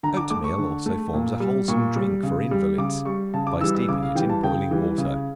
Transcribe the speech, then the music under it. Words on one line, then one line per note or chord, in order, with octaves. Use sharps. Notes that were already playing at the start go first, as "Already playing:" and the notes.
Oatmeal also forms a wholesome drink for invalids, by steeping it in boiling water.
D3 A#5
D6
A3 D6
C#6
D3
A3
A#2
G3
A#2 C#6
G3
C#3
G3
C#3 D6
G3 C#6
C#3 A5
D6
E3 G3 E6
E6
C#3 D6
F5
E3 G3 G5
A5
C#3 G5
E3 G3
C#3